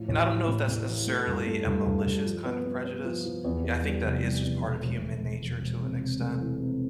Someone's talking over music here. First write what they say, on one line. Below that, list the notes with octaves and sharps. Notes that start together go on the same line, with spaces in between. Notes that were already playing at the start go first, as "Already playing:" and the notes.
and I don't know if that's necessarily a malicious kind of prejudice. Yeah, I think that is just part of human nature to an extent.
Already playing: A2 F3
A1
E3
A2
A2
E3
A3
G2
A3
G2
G2
G2
F3
B3
B3
B3
F3
F3
E2
E2
G3
F1
G3
E2
E1
E1
E1
E1
E1
E1
C3
C3
A3
E3
C3